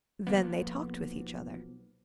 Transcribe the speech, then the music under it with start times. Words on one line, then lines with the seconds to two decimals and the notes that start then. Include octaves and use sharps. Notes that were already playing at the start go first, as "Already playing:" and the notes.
"Then they talked with each other."
0.27 B1 F3 A#3 B3